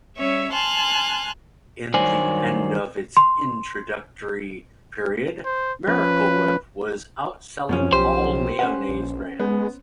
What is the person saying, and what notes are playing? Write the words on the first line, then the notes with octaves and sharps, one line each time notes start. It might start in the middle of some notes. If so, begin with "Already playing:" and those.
At the end of its introductory period, Miracle Whip was outselling all mayonnaise brands.
G3 C#4 C#5 E5
G#5 A5 C6 F6 F#6
G2 D#3 F#3 C5 D5 G#5
C6
C5
F3 C#4 B4
F#2 B2 F3 C#4
B1 G4 C5
C#4 B4 F#5
A#1
G#3 B3